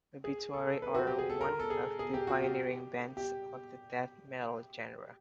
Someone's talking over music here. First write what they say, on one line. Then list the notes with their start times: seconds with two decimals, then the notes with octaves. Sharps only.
Obituary are one of the pioneering bands of the death metal genre.
0.24 G#4
0.53 A4
0.82 B4
0.95 F#4
1.07 G4
1.19 G#4
1.30 A4
1.41 A#4
1.60 A4
1.70 G#4
1.99 G#4
2.14 G4
2.27 F#4
2.42 G4
3.17 G4